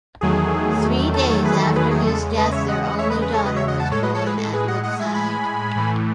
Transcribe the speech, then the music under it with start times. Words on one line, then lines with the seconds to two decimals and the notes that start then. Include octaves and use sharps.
Three days after his death, their only daughter was born at Woodside.
0.21 E2 D#3 F#3 A3 G#4
1.14 A4
1.30 A4 C#5
1.45 G#4 B4
1.60 A4
1.76 G#4 B4
1.91 G#4
2.06 E2 C#3 G#3 A4
2.37 B4 D#5
2.52 C#5 E5
2.68 D#5 F#5
2.84 D#5 F#5
2.98 C#5 E5
3.10 B4 D#5
3.22 G#4 B4
3.33 A4 C#5
3.45 B4 D#5
3.56 C#5 E5
3.68 D#5 F#5
3.80 F#5 A5
3.91 A2 G#3 A4 C#5
4.03 B4 D#5
4.15 A4 C#5
4.26 G#4 B4
4.38 A4
4.53 G#4 B4
4.68 D#5 F#5
4.83 D#5 F#5
4.99 E5 G#5
5.14 G#5 B5
5.76 A2 E3 A3